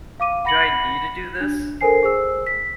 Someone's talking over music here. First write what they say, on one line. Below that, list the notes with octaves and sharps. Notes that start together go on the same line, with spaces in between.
do I need to do this?
F5 D6 D#7
F#5 B5 A#6 C#7 F#7
D4
A4 A#4 C5 G#5 C7
G#4 C5 E6
B6